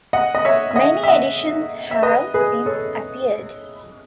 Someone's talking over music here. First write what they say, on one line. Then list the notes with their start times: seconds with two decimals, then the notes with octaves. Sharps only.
Many editions have since appeared.
0.13 D#5 F#5
0.35 D#5
0.45 C#5 E5
0.71 E5
0.76 D#5 F#5
1.03 E5
1.08 D#5 F#5
1.91 E5
2.02 B4 D#5
2.34 G#4 B4
2.66 A4 C#5